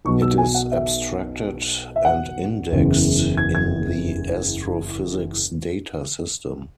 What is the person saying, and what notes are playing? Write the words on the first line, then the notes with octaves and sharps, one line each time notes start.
It is abstracted and indexed in the Astrophysics Data System.
B1 B2 F#3 C#6
E6
G#5
F#5
E5
E5
F#5
F#1 E2 C#3
G#6
G#6